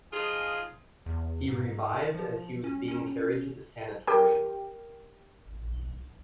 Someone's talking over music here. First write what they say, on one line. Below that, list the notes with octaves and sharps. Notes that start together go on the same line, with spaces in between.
He revived as he was being carried to the sanatorium.
F3 D#4 F4 G#4
E2
G#2
F3
C#4
C#4
G4 A#4 G5